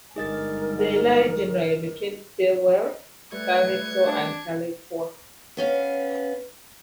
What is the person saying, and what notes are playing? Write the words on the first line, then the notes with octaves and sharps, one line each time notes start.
They lie generally between Stilwell, Sallisaw and Tahlequah.
G1 G#2 G3 G#4 A#4 D#5 A6
G3 A3 B4 G#6 C#7
D4
B3 C#4 F5